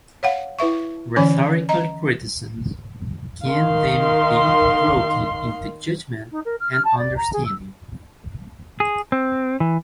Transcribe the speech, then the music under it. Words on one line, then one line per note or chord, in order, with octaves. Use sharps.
Rhetorical criticism can then be broken into judgment and understanding.
C#5 F5 F#5
E4 B4 E5 C#6
D3 E3 C#4 C#5 G#5
D#5 A#5
D#3 F5 C6
D#4
A#4
F6
F6
A5
D5
A#5
G#4
E6
G#4
C4
E3